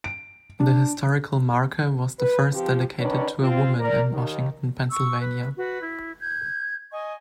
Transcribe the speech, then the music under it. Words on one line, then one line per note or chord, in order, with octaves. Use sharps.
The historical marker was the first dedicated to a woman in Washington, Pennsylvania.
D7
D4
B4
F3 C4 G4
D#3 C#4 D4 B4 C#5 D5
C4 F4
A#4 D5
D#2 D#3
C#6 E6
B4
F#4 B4
E4
G6 G#6
D#5 G#5 C#6